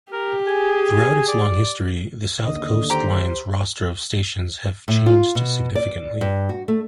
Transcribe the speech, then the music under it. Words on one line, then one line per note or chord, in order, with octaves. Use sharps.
Throughout its long history, the South Coast Line's roster of stations have changed significantly.
G4 A#4
G#4 G#5
D5
D#2 D3 D#5
G4 C5 A#5
A2
F4
B2
D5
G2
F#4
A3